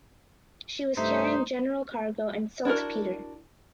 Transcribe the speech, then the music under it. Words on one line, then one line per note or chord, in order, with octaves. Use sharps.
She was carrying general cargo and saltpeter.
G2 C3 A3 D#4 C5 E5
D4 E4 F#4 A#4